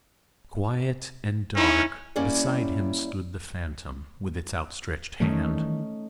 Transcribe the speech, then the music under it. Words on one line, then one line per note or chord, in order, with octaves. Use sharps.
Quiet and dark, beside him stood the Phantom, with its outstretched hand.
C#4 D#4 E4
G3 A#3 C#4 E4 D5
D#3 E3 G3 A3 C#4 D#4